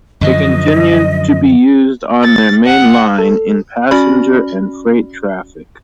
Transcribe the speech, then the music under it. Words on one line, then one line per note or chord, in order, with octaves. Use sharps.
They continued to be used on their main line in passenger and freight traffic.
F#2 D3 F3 D#5
A6
F#5
A4
C#4 F#4 D5 B5